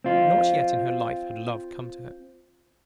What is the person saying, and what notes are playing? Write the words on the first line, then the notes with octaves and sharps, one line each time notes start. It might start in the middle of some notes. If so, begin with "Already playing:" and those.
Not yet in her life had love come to her.
C4 F4